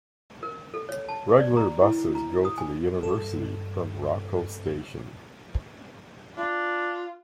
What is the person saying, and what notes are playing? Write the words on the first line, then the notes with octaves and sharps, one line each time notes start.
Regular buses go to the university from Rokko station.
A#4
A4
C#5
A5
D5
A#5
E4
A#5
D#6
G#5
G2 A4
D4 F4